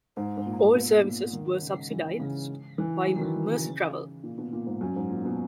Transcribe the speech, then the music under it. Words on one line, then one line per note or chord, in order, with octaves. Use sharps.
All services were subsidised by Merseytravel.
G#2
G#2
A#2
B2
A#2
D#3
C#3
E3
C#3
E3
F#3
D#3
E3
D#3
C#3
A#2
B2
A#2
G#2
F#2
G#2
A#2
B2